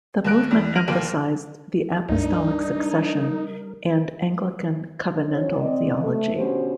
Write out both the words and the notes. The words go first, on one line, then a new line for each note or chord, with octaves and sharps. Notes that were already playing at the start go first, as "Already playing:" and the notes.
The movement emphasized the Apostolic Succession and Anglican Covenantal Theology.
D#2 A#4 F#6 D7
E2 G3
F6 A#6 D7 D#7 F7 F#7
F1 D#2 A#3 D7 F#7
C#2 G2 G3 D4 D#4 A#4
F#3 C#4 D#4 E4 C5 C#5
C4 D5 D#5
A3
B2 D3 C#4 G4 C5